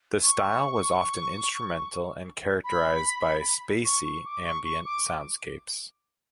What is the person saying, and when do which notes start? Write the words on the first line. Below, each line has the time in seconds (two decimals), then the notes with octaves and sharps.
The style was often instrumental and characterized by "spacy," ambient soundscapes.
0.23 C#6
2.64 B5
3.85 C#6
4.04 C#6
4.25 D6
4.45 C#6
4.64 C#6
4.85 D6